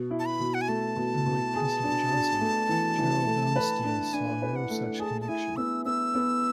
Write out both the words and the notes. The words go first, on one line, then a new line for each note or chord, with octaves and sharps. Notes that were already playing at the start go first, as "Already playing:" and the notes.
Unlike President Johnson, General Bonesteel saw no such connection.
Already playing: B2
E4
A5
B5
B2
F#5
G#5
A3 A5
B2
B2
G#4
D4
D4
A3
E3
E3
A3
B4
D4
D4 G#5
B4
F#5
A3
G#4 A5
A5
E4 G#5
B3 E6
B3 E6
B3